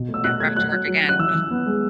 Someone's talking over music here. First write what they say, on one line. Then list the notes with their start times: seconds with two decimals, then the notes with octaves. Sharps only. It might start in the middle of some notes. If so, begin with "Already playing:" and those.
Never have to work again.
Already playing: B2
0.09 A3
0.14 E6
0.24 B2 F#6
0.40 A3 G#6
0.56 F#3 F#6
0.72 F#3
0.88 F#3
1.03 C#4
1.09 F#6
1.19 E3 E6
1.35 E3
1.51 B3
1.66 G#3